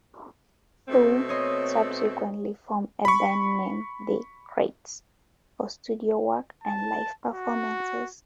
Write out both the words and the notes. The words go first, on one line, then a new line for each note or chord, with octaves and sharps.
Fu subsequently formed a band named "The Krates" for studio work and live performances.
B2 A3 C4
C#5 D#5 C6
B5 C#6
A5
F#4